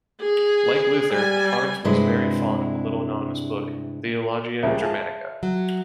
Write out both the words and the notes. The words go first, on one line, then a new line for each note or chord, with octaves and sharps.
Like Luther, Arndt was very fond of the little anonymous book, "Theologia Germanica".
G#4
G3 G#5
G2 C3 G#3 D4 E4
C#2 F3 G3 E5
F4 G#4 A5
F#3